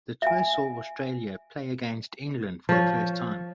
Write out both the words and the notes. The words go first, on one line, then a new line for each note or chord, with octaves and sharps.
The tour saw Australia play against England for the first time.
E5 G#5
F3 C#5